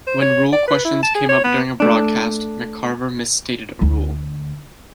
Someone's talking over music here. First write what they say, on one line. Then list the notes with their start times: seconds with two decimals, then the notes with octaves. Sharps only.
When rule questions came up during a broadcast, McCarver misstated a rule.
0.07 C5
0.22 C#5
0.53 D5
0.68 B4
0.85 E4
1.03 A5
1.15 G#4
1.29 C#5
1.44 B3
1.80 A3 D4
3.81 D2